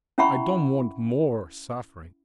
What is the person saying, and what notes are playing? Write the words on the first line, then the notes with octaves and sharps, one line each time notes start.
I don't want more suffering.
C#4 E4 E5 F#5 B5 C#6